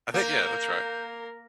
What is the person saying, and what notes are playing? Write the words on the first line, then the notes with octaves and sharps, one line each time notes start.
I think yeah, that's right.
A#3 A#4 G6